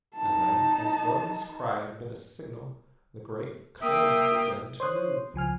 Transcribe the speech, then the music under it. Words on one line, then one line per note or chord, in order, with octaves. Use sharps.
And then, as though his cry had been a signal, the great cone began to move.
D#4 A5
A#3 E5 G5 D#6
C5 C#5 C6 D#6 F#6
C#2 F3 G#5 F6